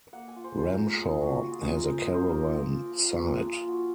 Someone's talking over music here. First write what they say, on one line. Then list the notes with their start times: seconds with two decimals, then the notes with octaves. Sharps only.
Ramshaw has a caravan site.
0.13 A#3 F#5
0.28 G#5
0.36 F4
0.44 C5
0.59 F4 C5
0.70 A#4
0.82 A#3 A#4
0.94 G#4
1.05 F4 G#4
1.21 F#4
1.29 A#3
1.36 F#4
1.52 F4 G#4
1.64 G#4
1.75 F4 A#4
1.87 C5
1.98 F4 D#5
2.14 C5
2.21 A#3
2.29 A#4
2.45 F4
2.68 A#3
2.91 F3
3.15 A#3
3.37 F3 G#4
3.52 F4
3.61 A#3
3.68 F#4